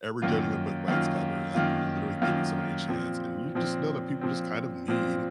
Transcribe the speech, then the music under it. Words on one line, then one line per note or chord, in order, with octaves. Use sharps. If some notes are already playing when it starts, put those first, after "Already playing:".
ever judging a book by its cover, like, you're literally giving somebody a chance, and you just know that people just kind of need
F#2 D#3 A#3 F4
F#2 D#3 A#3 F4
F#2 D#3 A#3 F4
F#2 D#3 A#3 F4
A#2 F3 C4
A#2 F3 C4
A#2 F3 C4
A#2 F3 C4